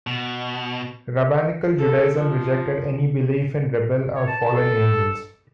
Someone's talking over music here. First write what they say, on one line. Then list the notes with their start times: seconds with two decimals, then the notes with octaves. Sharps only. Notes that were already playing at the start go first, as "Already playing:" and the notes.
Rabbinical Judaism rejected any belief in rebel or fallen angels.
0.07 B2
1.78 A4
2.18 F3
4.16 C#5
4.27 A5
4.54 A4